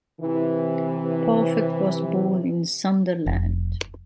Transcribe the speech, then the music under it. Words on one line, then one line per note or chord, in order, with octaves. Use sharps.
Parfitt was born in Sunderland.
C3 E3
F1